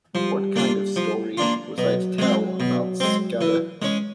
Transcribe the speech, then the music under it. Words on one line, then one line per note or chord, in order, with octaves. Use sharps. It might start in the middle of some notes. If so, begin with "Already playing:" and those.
What kind of a story was I to tell about Scudder?
F3 G3
A#3 D4 F4
F3
A#3 D4 F4
B2 F#3
G#3 C4
B2
G#3 C4
E3
G#3 C#4